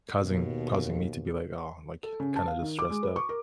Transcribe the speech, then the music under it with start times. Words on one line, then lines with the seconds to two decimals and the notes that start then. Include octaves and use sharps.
causing causing me to be, like, "Oh," like, kinda just stressed out.
0.22 D#2 B2
2.03 A4
2.20 C#3
2.36 A5
2.48 F5
2.62 D#3
2.79 D6
2.90 G#3
3.03 B4
3.16 C#6
3.29 A#4